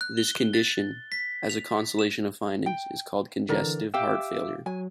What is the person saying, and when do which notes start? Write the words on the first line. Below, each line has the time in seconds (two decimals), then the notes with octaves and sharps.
This condition, as a constellation of findings, is called congestive heart failure.
0.01 F#6
0.17 G7
0.53 A6
1.12 B6
1.49 F7
1.99 E7
2.66 G5
3.49 D3 E3 A#4 D5 A#5
3.94 G4 E5 F5 G5 D6 E6
4.66 F#3 G#5